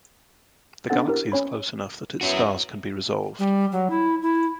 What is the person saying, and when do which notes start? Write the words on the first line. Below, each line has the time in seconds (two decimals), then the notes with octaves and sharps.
The galaxy is close enough that its stars can be resolved.
0.89 B3 C#4 D4 A4 F#5 A6
1.07 E4 G4 A#4
1.32 C#4 C#5 B5
2.21 B3 C#4 E4 F#4
3.39 G3
3.72 F#3
3.90 E4
4.22 E4